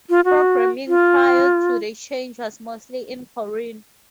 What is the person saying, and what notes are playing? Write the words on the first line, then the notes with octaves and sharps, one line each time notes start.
Programming prior to the change was mostly in Korean.
F4
F#4
F4